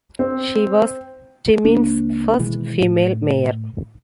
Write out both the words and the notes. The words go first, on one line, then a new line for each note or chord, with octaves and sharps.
She was Timmins' first female mayor.
C4
C#2 A#3 C4 D4
B2 D#3 E3 G#3
A2